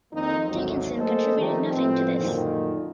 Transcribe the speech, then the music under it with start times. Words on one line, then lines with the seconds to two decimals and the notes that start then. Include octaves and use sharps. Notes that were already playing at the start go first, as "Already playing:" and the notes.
Dickinson contributed nothing to this.
0.13 F2 D#3 A#3 C4 D#4
0.47 G#1 D2 F#3
0.97 A3 A#3 G#4 A4 C5 D#5
1.38 D#3 F3 G3 A3 D#4 G4
1.71 A2 F3 B3 C4
2.19 F#2 A#2 D3 D#3